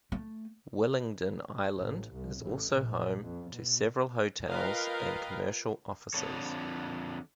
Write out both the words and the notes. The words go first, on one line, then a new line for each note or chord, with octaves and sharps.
Willingdon Island is also home to several hotels and commercial offices.
A3
A1
C2
A1
A#1
F2
B2
F4 A#4 B4 D#5 F5 G5
F2 D3 A4 C#5